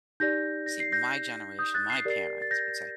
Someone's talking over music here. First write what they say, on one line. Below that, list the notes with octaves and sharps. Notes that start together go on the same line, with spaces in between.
see, my generation, my parents would say,
D#4 G4 D5 G6 A#6
A#6
C7
G6 A#6
D#6 G6
F#6 A6
C7
G4 A#4 D5 A6 C7
A6
G6 A#6